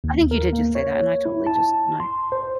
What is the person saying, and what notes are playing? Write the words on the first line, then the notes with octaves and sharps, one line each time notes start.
I think you did just say that, and I totally just my
D#2
A#4
A#3
C#5
E4
A5
C6
C5